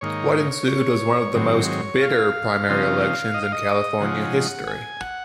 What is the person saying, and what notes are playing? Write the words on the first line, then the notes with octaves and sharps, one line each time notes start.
What ensued was one of the most bitter primary elections in California history.
G#2 D#3 A#3 D#4 C#5
C#5
G#2 D#3 F#3 C4
F5
C#3 F3 C4 D#4
D#5
F5
D#5
C#3 F3 G#3 D#4 F#5
G#5
F#5